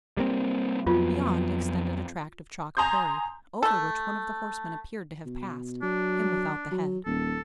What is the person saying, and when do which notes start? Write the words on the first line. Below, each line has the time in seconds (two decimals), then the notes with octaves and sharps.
Beyond, extended a tract of chalk prairie; over which one of the horsemen appeared to have passed--him without the head.
0.17 G3 A#3 C4
0.87 F2 F#3 B3 F4
2.77 G#5 A#5 C6 D#6 G6
3.63 A3 A4
5.25 B2
5.82 F#3 D4
6.71 F#3
7.06 D#1 A4